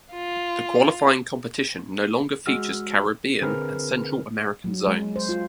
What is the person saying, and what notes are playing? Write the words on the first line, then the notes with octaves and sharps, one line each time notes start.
The qualifying competition no longer features Caribbean and Central American zones.
F4
G#3 F#4 E6 F6
D3 C4 G#4 A#4 B4 F6
F#3
G#3
C5
F4